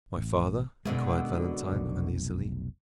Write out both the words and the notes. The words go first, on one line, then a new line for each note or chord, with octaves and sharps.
"My father?" inquired Valentine, uneasily.
A1
F#2 B2 D3 G#3
F1 B1